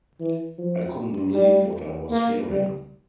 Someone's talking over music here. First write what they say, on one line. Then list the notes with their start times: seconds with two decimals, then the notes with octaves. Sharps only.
I couldn’t believe what I was hearing.
0.20 E3
0.58 F3
1.34 G3
2.11 A#3
2.49 G3